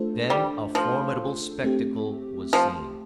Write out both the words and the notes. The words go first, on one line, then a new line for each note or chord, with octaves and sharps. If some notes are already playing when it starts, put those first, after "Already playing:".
Then a formidable spectacle was seen.
Already playing: A3 D4 F4 A4 C5
G3
F3
A3 C4 G4
F3